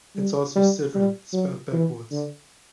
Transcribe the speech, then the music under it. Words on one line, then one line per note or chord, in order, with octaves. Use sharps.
It's also "Sidran" spelled backwards.
G3
G3
G3
F#3
E3
D3